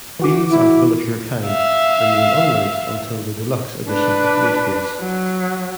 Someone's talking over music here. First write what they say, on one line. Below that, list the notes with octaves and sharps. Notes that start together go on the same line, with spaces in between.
"Fields are Full of Your Kind" remained unreleased until the deluxe edition of "Woodface".
E3 F#4 D6
E4
E5 F5
D4 B4
F#3